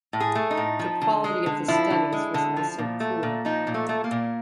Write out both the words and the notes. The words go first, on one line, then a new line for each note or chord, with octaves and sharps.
The quality of the studies was also poor.
A2
G#4
A3
D#4
A2
F3
D3
G#3
D3
F3 E4
D3
G#3
D3
F3
A#2
A3
A#2
F3 D#4
A#2
A3
A3
A#3
A#2